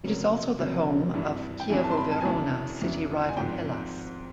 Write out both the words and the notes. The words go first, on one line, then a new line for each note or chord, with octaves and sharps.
It is also the home of Chievo Verona city rival Hellas.
F1 F2 C#3 F#3 A#3
F1 F2 C#3 F#3 A#3
G#1 G2 E3
G5
G#1 G2 E3 G#5
A5
C6
B5
A5
G#5
E1 E2 C#3 E3 A5
E1 E2 C#3 E3
G#5
G#1 G#2 F3 G5